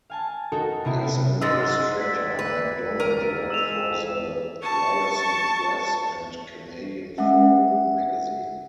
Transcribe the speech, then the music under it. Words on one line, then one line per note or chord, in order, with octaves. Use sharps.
As an illustrator, MacDonald worked for the Ryerson Press and "Canadian Forum" magazine.
F5 G#5 A5
D#4 F#4 A4 A#4
C3 B3 E4 F#4
G#2 G#3 E6 A6
D5 G#6 B6
B4
A#4 D#7
G#3 E6 E7 F7
A5 C#6
G#3 C#4 E5 F#5